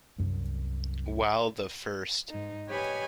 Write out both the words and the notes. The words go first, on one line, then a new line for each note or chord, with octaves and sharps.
While the first.
C2 F#2
G#2 D#4
G4 B4 C#5 D#5 G#5 B5